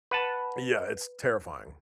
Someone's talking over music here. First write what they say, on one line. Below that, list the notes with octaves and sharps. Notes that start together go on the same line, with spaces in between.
Yeah, it's terrifying.
B4 F#5 A5